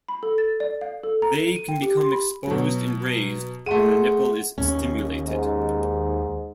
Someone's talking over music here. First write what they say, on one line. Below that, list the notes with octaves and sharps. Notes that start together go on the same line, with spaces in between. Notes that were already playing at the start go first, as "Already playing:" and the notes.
They can become exposed and raised when the nipple is stimulated.
B5
A4
A6
D5
F5
A4
A#5
D#7
G5
G4
C6
B5
B2 F#3
A3 G#4 F#5 C6 D#7
D#2 C#4
G#2